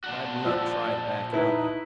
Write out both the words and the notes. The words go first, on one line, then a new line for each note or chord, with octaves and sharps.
But I did not try to back out of it.
A#2 D4 F#4
F3 D5 E6
D#4 E4 B4